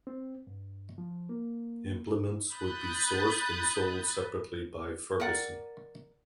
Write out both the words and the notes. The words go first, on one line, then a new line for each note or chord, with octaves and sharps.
Implements would be sourced and sold separately by Ferguson.
C4
G2
F3
A#3
B5 D#6 F#6 G6 A6
A#4 D5 F#5